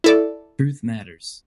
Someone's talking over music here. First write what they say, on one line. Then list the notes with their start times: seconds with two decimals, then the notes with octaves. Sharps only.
Truth matters.
0.04 E4 A4 D5